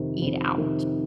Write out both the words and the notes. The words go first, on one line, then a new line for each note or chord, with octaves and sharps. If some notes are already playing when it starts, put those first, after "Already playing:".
eat out."
Already playing: F2 C3 D#3
F2
C3 D#3